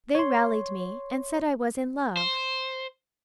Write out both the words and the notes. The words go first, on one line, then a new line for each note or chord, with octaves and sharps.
They rallied me, and said I was in love.
C#5 C6
C5